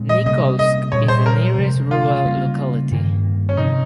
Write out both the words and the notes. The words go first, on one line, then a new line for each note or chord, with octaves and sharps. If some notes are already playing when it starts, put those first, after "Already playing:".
Nikolsk is the nearest rural locality.
Already playing: A#2 G#3 C4
D#5
C3 G3 A#3 C#4 D#5
D#5
A#2 G3 C4 C#5
C5
A#4
C3 F3 G#3 C4
F4
C#3 G3 A#3 C#4
G2 D#3 A#3
C#4
C3 F3 C4 D#4